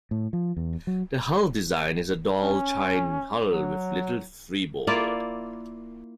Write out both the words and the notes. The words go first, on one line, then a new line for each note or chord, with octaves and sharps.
The hull design is a dual chine hull, with little freeboard.
A2
F3
E2
F#3
C#4
F#3
A#3 E4 F4 D5